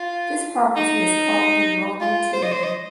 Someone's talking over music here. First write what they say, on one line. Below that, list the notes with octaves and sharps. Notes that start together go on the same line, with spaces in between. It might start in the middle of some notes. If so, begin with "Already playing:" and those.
This property is called "neuronal tuning".
Already playing: F4
D#4
F4
C5
D#5
C5
D#5